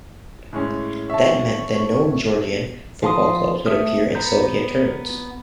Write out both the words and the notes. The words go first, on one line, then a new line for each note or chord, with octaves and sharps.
That meant that no Georgian football clubs would appear in Soviet tournaments.
A2 G#3 C#4
C#5 E5 A5
F3 F5 A5 C6 D#6
A3 E5 D#6 F6
B3 A#5 G6